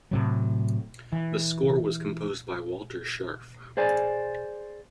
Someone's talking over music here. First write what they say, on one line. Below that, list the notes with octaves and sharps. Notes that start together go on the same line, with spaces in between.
The score was composed by Walter Scharf.
A2 C3 F#3
E3
G#4 C5 D5 G#5